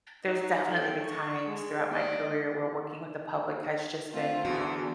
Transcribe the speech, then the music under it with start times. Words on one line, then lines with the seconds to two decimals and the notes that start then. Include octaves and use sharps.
there's definitely been times throughout my career where working with the public has just been
0.24 D#4
0.67 A4 G5
1.03 C#6
1.46 G#3
1.92 D5 D#5
4.11 A3 C4 F4
4.45 E2 D3 F#4